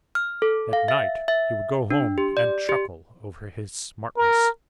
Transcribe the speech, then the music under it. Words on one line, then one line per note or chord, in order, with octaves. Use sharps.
At night he would go home and chuckle over his smartness.
F6
A4
F5
E5
E5
D4
G4
D5
G4
A#4